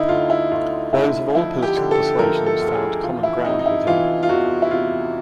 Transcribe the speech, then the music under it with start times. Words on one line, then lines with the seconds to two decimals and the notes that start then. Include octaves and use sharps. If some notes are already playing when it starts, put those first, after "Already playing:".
Those of all political persuasions found common ground with him.
Already playing: D3 D#4 E4
0.09 D2 F4
0.30 E4
0.51 D2 F4
0.93 D2 E4
1.35 F3 E4
1.62 G4
1.77 D3
1.91 A4
2.19 F3 A#4
2.46 A4
2.61 D2
2.68 A4
2.75 G#4
3.03 E3 F4
3.23 E4
3.45 C3 D#4
3.59 D#4
3.66 E4
3.87 E3 F4
4.23 F4
4.29 E2 F#4
4.62 E4
4.71 C3 F4